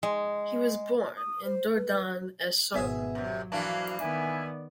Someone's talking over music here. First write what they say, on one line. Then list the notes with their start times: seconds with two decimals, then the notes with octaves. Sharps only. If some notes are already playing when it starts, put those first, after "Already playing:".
He was born in Dourdan, Essonne.
0.03 G#3
1.17 D#6
1.45 C5
1.76 B4
2.74 G#1 B2 B3 G#4 E5
3.15 F#2 C3 F#3
3.52 E3 F3 A#3 D4 F#4 D5 F5
3.99 D#3 B3 E5 G#5